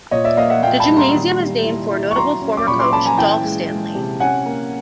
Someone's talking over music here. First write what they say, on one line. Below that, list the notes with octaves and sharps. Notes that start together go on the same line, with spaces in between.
The gymnasium is named for notable former coach Dolph Stanley.
A#2 C#5 D#5
D5 E5
A#3 D#5 F5
E5 F#5
A#2 F5 G5
A5 B5
G3
A#5 C6
D#3
G3
E4
E4
C#6
F#3 A#5 C6
C#4
D6
A#2 B5 C#6
C6 D6
C#4 A5 B5
G#5 A#5
E3 G5 A5
G#3
G#3
C3
C#4 F#5 G#5
A#3